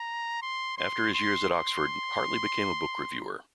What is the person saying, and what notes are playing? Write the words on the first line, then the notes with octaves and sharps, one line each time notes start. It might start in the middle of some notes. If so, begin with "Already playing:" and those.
After his years at Oxford, Hartley became a book reviewer.
Already playing: A#5
C6
C6
C6
C6